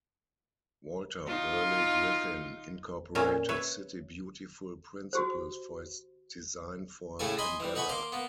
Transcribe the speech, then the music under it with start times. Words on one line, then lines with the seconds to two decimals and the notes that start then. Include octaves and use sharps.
Walter Burley Griffin incorporated City Beautiful principles for his design for Canberra.
1.27 D#4 F4
3.15 A#2 C#4 A#4 E5
3.49 B4 C#5 E5
5.13 F#4 G4 C5
7.19 A2 C#3 A3 E4 A4 G#5
7.38 D#5 G#5 B5 C6
7.60 E3 G3
7.75 D#4 F#5 G#5 B5 C#6
7.89 A#3 C6 D6
8.12 A#3 B3